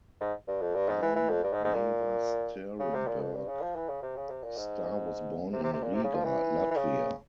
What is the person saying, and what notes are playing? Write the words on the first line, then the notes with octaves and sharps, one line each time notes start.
Born Nava Sterenberg, Starr was born in Riga, Latvia.
G#2
G2
F2
G2
G#2
E3
E3
F2
G2
G#2
G#2
A#2
C#3
C3
A#2
F2
G2
C#3
F3
E3
C#3
C3
C#3
C3
A#2
G#2
C3
C3
C3
A#2
C3
C#3
F3
E3
E3
C#3